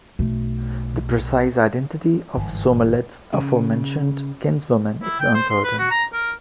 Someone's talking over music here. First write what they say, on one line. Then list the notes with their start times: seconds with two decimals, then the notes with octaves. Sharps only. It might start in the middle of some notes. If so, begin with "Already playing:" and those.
The precise identity of Somerled's aforementioned kinswoman is uncertain.
0.19 B1 A3
2.37 G1 G#2 C3 E3
3.33 C#3
5.03 E4
5.20 G5
5.35 C5
5.50 C6
5.64 B4
5.79 F#4
5.91 A#5
6.13 A#4